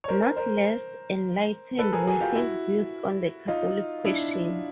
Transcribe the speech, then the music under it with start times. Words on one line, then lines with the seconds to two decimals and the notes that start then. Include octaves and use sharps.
Not less enlightened were his views on the Catholic question.
0.04 C#5
0.08 A#4 C5
0.37 A#4 C5
1.78 A4 B4
1.92 G#4 A#4
2.07 F#4 G#4
2.21 F4 G4
2.35 E4 F#4
3.48 D#4 F4
4.05 D4 E4